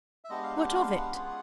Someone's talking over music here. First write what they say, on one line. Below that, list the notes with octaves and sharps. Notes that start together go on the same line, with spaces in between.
What of it?'
E5
G#3 B3 D4 G4 D#5
F5
F#5
F5
F5
F#5
C#4 F4 G#4